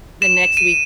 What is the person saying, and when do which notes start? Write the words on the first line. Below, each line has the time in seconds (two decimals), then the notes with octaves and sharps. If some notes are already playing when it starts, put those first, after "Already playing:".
The next week
0.22 E7
0.57 D#7